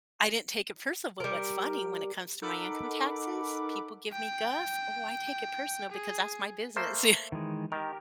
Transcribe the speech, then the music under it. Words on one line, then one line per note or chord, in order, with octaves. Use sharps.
I didn't take it personal, but what's funny when it comes to my income taxes, people give me guff, oh, I take it personal because that's my business. You
G3 A#4
D#4 A4 A#4 F#5 B5 D6
G5
G#4
A3 A#3 C5
D#3 E3 G#3
D#3 G4 A#4